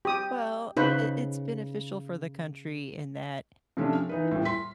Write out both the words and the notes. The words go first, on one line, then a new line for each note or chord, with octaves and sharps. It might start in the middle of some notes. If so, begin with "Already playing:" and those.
Well, i it's beneficial for the country in that,
G4 D#6
C#3 D#4 B4 C5
C3 F3 A3 C#4 D4
F6
E3 D#4 B4
D#1 A2
C6 B6